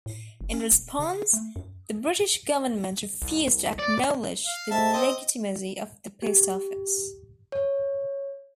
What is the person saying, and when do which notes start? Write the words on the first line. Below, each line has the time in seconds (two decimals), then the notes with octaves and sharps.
In response, the British government refused to acknowledge the legitimacy of the post office.
0.06 A2
0.41 F#1
0.54 C#4
0.72 D#1
0.99 C#3
1.33 A3
1.56 F#2
3.22 C2
3.79 D5
4.46 F5
4.71 G#2 E5 A5
4.94 C4 D#5
6.22 G4
7.52 C#5